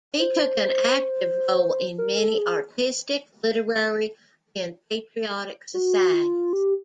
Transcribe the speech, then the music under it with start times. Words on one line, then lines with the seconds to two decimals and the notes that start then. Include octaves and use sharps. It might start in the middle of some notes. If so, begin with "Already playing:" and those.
He took an active role in many artistic, literary and patriotic societies.
0.19 C5
1.98 A#4
2.18 A4
2.38 G#4
5.74 F#4
6.14 F4
6.53 G4